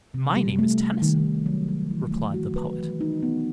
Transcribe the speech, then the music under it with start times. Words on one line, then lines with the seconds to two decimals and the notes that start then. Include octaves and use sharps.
"My name is Tennyson," replied the poet.
0.14 C3
0.36 G3
0.59 A3
0.81 A3
1.02 D#3
1.25 D#3
1.46 F#3
1.68 F#3
1.91 E3
2.12 A3
2.34 F#4
2.56 B4
2.78 E3
3.01 D#4
3.23 B3